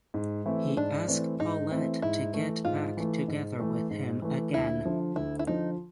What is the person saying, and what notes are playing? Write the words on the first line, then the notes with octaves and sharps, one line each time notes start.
He ask Paulette to get back together with him again.
G#2
E3 A3 C4 E4
G#2 D4
E3 A3 C4 E4
G#2 D#4
E3 A3 C4 E4
G#2 E4
E3 A3
G#2 F4
E3 A3
G#2
E3 A3
G#2
E3 A3
D2 E4
D3 F3
D2 E4
E4
D3 F3 D#4